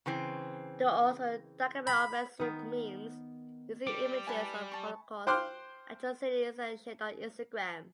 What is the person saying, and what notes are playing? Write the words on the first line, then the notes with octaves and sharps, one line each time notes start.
They also document offensive memes using images of Holocaust atrocities and shared on Instagram.
C#3 E3 C4
B5
D#3 B3
G3 D6
E4 B4 G#5 A5 B5
A5 C#6
C5 G5 C6 D6 F6 F#6